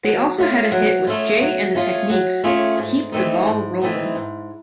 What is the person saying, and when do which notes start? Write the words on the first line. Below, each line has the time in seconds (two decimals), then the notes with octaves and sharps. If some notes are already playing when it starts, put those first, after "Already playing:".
They also had a hit with Jay and the Techniques' "Keep the Ball Rollin'".
0.04 F#3
0.38 A3 C#4 F4 G#4
0.72 F#3
1.07 A3 C#4 F4 G#4
1.41 F#3
1.75 A3 C#4 F4 G#4
2.10 F#3
2.44 A3 C#4 F4 G#4
2.78 G#2
3.12 E3 A3 C4 D#4
3.47 G#2
3.81 E3 A3 C4 D#4
4.15 G#2